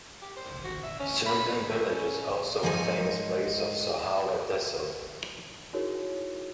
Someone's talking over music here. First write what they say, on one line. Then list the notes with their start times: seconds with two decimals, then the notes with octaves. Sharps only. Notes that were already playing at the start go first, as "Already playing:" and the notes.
Surgdhan Village is also a famous place of Sohawa Tehsil.
0.22 G4
0.36 C5
0.64 F#4
0.83 E5
1.00 C#4
1.26 B5
1.47 B4
1.69 A3
1.90 C#4
2.63 G#2 F3 D#4 C#5 G#5
5.73 D#4 E4 F#4 G#4 A#4 C#5